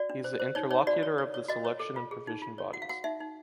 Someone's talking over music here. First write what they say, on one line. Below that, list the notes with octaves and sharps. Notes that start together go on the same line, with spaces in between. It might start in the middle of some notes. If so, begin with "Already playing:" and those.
He is the interlocutor of the selection and provision bodies.
Already playing: F#4 D5
D4
C5
C5
D#4 C#5
D#4 C#5
F#4 D5
C#5
C#5
C#5
F#4 D#5
C#5
A4
F4
G#4
D#4
F4
C#5
F#4 F#5
F5
F#4 F#5
D#4 E5
D#4